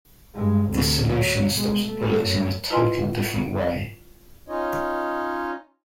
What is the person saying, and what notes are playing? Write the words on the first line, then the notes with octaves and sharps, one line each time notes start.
This solution stops the bullets in a total different way.
G2 G#3
D2 C3
F#3
B2 G#3
A3
F#2
E4 F4 B4 D#5 G#5 C6
C#4 D#4 F4 C#5 D#5